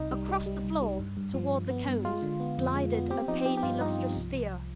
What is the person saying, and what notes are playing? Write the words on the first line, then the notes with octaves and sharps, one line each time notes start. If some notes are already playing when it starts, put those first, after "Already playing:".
Across the floor toward the Cones glided a palely lustrous sphere.
Already playing: C2 C3 D#4
G3
G3
G3
C2
G3
G2
G2
F3
G2
B3
G2
G#3 F4
D3
B3
F2
G#3
B3
C4 G4
F3 D#4
F3 G4
G4
G2 F4
G2 D#4
F3
C2
C2